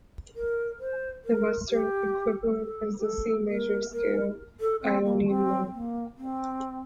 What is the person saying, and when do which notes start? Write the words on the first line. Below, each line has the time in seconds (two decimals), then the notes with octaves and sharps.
The Western equivalent is the C major scale, "Ionian mode".
0.36 A#4
0.80 C5
1.25 A#4
1.69 G4
2.58 A4
2.99 G4
3.04 A4
3.49 A#4
3.93 A#4
4.60 A4
4.83 C4
5.05 A#3
5.27 C4
5.72 A#3
6.17 C4